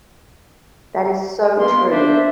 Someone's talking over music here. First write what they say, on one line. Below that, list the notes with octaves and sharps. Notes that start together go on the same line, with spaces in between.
That is so true.
A#3 B3 C6
D4 C5 E5